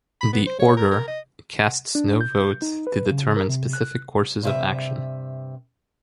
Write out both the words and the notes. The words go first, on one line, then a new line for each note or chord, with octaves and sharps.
The Order casts no votes to determine specific courses of action.
B5
B3
C5
C#5
A#4
A#4
D#5
D4
G6
D#4
B4
C#3
A#4
C3
F#6
G2 C3 E5